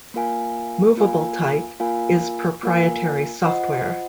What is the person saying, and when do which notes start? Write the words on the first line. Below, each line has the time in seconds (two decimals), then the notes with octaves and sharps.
Movable Type is proprietary software.
0.14 A#3 F4 A#4 F5 G#5
0.97 A#3 F4 A#4 F5 G#5
1.80 A#3 F4 A#4 F5 G#5
2.63 A#3 F4 A#4 F5 G#5
3.45 F4 C5 D#5 F#5